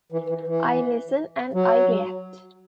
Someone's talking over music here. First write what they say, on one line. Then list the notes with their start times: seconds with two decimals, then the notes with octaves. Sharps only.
I listen and I react.
0.12 E3
0.29 E3
0.47 E3
1.54 F#3